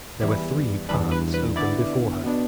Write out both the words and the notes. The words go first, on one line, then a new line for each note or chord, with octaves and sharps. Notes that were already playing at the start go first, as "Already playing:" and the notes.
There were three paths open before her.
E2 E3 G3 E4
E2 E3 G3 D4 B4
B4
B4
D3 B3 E4 D5
B2 B3 D4